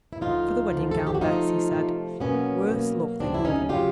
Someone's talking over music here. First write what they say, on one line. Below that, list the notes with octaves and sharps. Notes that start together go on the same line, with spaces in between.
"For the wedding gown, Bess," he said; "worse luck that you want one!"
E4
D2 D3 F3 D#4 F4
D2 D3 F3
A4
G#4
G4
F#4
C3 F3 A3 D#4 F4
C3 F3 A3
B2 F#3 A#3 B3 C#4
B2 F#3 A#3
D2 C#3 F#3 C4 D4
E4
C#4 D#4
C#3 F#3 F4 G4